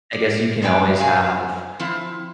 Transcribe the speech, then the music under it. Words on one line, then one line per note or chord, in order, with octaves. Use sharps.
I guess you can always have,
D5
F#2 G#3 D4 B4 G5 G#5
G2 F5 G#5
F3 C4 E4